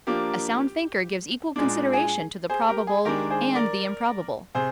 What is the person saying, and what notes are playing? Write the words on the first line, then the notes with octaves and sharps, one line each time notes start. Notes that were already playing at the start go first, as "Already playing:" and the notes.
"A sound thinker gives equal consideration to the probable and the improbable."
F3 A#3 D4 G4
A#2 G#3 D4
G#4
G#4 C5
G4 A#4
G#4
D#3 G#3 D4 G4 A#4
G#4 C5
A#4 D5
C3 G#4 C5